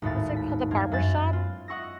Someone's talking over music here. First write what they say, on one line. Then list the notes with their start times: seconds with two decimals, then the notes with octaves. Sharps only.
what's it called, The Barbershop?
0.02 G#1 D#2 A2 A6
0.36 B6
0.71 G2 C4 F5 G#6
0.92 F#2 G#5 A6 E7
1.33 B3 F4
1.68 D#5 F#5 C#6 E6 A#6